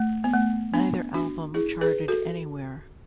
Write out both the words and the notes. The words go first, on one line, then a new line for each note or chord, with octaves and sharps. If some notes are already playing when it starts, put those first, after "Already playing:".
Neither album charted anywhere.
Already playing: A3
B3
A3
B3 D4
D4 F#4
E4 G#4
G#4 B4
F#4 A4